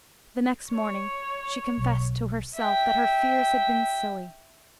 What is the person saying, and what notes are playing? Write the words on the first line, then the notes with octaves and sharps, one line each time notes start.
The next morning she confessed to herself that her fears had been silly.
C#5
B1
E5 G5